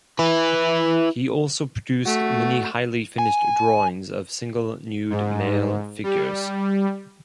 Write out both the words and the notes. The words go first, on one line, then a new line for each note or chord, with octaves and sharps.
He also produced many highly finished drawings of single nude male figures.
E4 B4
A3 F#4
G#5
G#2
G3